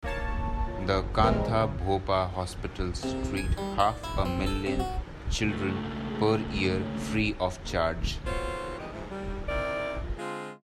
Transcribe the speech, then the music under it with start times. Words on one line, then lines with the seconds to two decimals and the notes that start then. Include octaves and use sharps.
The Kantha Bopha hospitals treat half a million children per year free of charge.
0.04 A#3 C#5 A5
0.93 G1
1.23 D#3 E3 G3 G#3 C4 A#4
1.60 C#3
3.03 C3
3.37 G#5
3.58 G3
3.80 D5
4.04 E4
4.25 C4
4.46 A4
4.67 C3
4.80 F#4
5.45 C#2 A3
8.27 B3 F4 F#4 A4 C5 C#5
8.79 F2 E3 G3 G#3 G4 D#5
8.93 G#2 E3 F3
9.11 G3
9.48 C4 D#4 E4 A#4 D5
10.19 D3 G#3 C4 F4